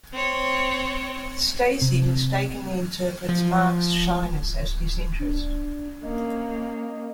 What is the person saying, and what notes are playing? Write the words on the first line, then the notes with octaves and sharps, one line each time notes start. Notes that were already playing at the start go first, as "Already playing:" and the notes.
Stacy mistakenly interprets Mark's shyness as disinterest.
C4 C#5
C3
F3
D4
A#3 C#4 D#5